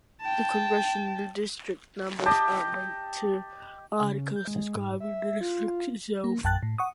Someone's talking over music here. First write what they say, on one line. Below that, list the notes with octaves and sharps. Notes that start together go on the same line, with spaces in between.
The congressional district numbers are linked to articles describing the district itself.
G5 A5
G4 D#5 A5
C#3
G6
G#3
G#2
E5
F4
A#3
A#1 F#2 G5 A5 F#6 A6
A2
F#5 C#6 D#6